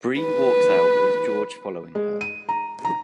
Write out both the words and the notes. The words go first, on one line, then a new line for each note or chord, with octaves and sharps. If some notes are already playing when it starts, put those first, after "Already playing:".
Bree walks out with George following her.
B4
G#3
D#7
A#5
A#5